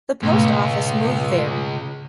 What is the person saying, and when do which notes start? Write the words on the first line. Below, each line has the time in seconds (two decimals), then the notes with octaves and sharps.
The post office move there.
0.23 C#2 G#2 B2 A3